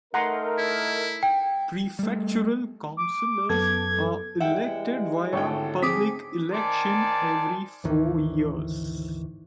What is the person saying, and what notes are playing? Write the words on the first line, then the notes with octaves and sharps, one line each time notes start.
Prefectural councillors are elected via public election every four years.
A3 D#4 A#4 F#5 A#5 C6
E4
G5
G3 A3
D6
F#2 B3 A4 G#6
E3 G3 G#3 E5 F#5 G5
G#1 D3 A3 E4 C#5 G5
C4 G#4 D6 D#6 B6
D#3 C5 D5 G#5 A5
G#1 D2 D#3 E3